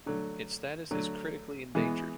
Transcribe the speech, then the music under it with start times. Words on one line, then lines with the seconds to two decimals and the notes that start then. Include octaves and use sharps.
Its status is critically endangered.
0.06 D3 F#3 A3
0.91 D3 F#3 A3
1.75 E3 G#3 B3